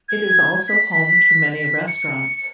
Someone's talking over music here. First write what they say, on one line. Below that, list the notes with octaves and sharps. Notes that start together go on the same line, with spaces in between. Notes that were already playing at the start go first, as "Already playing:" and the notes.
It is also home to many restaurants.
G#6
B6
C#7